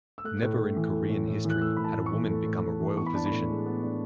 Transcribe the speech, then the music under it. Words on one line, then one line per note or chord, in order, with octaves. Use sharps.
Never in Korean history had a woman become a royal physician.
E6
A3 F#6
A2
A2
E3
A3
A2
A2
E3
F#6
A3 E6
A2 B5
A5
A2
C#6
E3
A3
A2
A2
E3
B3 C#6
B5
D4 A5
B5
A2
G#3
B3
D4